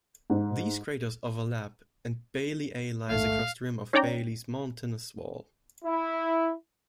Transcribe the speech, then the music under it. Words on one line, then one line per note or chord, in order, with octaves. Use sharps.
These craters overlap, and Bailly A lies across the rim of Bailly's mountainous wall.
G#2
A1 D#2 G#2 A3 F5
C#4 D#4 C#5 D5 G5 A#5
E4